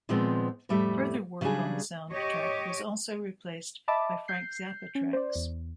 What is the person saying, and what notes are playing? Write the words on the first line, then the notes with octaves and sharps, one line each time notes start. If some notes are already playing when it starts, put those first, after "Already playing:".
Further work on the soundtrack was also replaced by Frank Zappa tracks.
A#2 D#3 F3 G#3 B3 C4
F2 A2 G3 A3
C#3 F#3 G3 D4 G#4
G4 C#5 D#5
D#5 E5 A5 B5 D6
G6 C7
C#4
C5 D5
E2